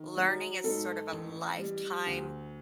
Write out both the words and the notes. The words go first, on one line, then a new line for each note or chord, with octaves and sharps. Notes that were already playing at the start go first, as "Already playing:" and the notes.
learning is sort of a lifetime,
Already playing: D#3
F#3
G#2 A4
A1
G3
D2